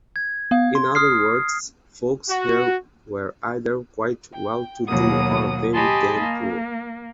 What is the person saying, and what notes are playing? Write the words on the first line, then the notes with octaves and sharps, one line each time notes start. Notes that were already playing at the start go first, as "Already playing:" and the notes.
In other words, folks here were either quite well-to-do or very damn poor.
G#6
B3 F5
C6
D#6 F6 C7
F#4
G5
D#2 B2 F#3 A#3 F#5 D#6
G4 D#5 G#5 A5 B5 C6
A#3